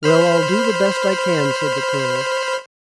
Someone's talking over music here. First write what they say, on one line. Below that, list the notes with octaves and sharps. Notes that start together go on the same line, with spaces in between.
"Well I'll do the best I can," said the colonel.
C5 B5 F6